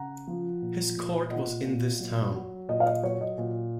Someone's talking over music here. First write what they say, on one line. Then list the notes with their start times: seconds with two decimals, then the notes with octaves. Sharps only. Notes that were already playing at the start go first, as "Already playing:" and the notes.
His court was in this town.
Already playing: C#3 F#5 A#5
0.27 F3
0.62 A#2
0.96 A#2
1.30 A#2 D#5 F#5
1.65 A#2
2.00 F#3
2.34 F#3
2.68 A#2 D#5
2.80 F5
2.86 D#5
3.03 F#3 C#5
3.21 D#5
3.38 A#2